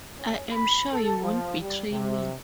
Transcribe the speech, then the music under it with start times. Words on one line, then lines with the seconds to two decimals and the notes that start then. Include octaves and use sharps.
I am sure you won't betray me.
0.18 C#4
0.51 B5
0.92 A4
1.23 F3
1.60 G3
1.91 C3